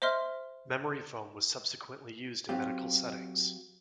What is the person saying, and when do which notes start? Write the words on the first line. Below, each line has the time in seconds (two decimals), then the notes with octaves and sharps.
Memory foam was subsequently used in medical settings.
0.02 C5 D#5 E5 C6 F6
2.49 F#3 C4 F4 G4